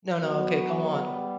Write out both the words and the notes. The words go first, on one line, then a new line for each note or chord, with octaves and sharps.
No, no, okay, go on.
F#3 B3
G3